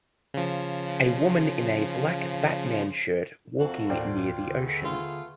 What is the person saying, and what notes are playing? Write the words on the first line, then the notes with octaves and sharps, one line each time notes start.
A woman in a black Batman shirt walking near the ocean.
C#3 F3
F2 A#3 F#4 A4
D#2 A2 F4 C5 D5
D3 A3 B3 G#4
F4